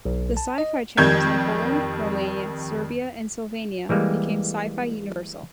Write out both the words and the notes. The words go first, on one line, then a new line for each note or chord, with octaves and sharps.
The Sci Fi Channels in Poland, Romania, Serbia and Slovenia, became Sci Fi Universal.
B1
A5
D#5
F2 D#3 G3 G6 G#6
E3 G3 G#3 A#3